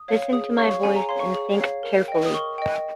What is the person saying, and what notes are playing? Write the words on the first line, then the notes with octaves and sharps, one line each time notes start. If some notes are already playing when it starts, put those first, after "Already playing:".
Listen to my voice and think carefully.
Already playing: D#6
C#5 F5
G#4 D#6
C#5 F5 C#6
G#4 G#5
A#5
C#5 F5 C6
C#6
G#4
C#5 F5
A#4
D#5 G5
D#6
A#4 C#6
D#5 G5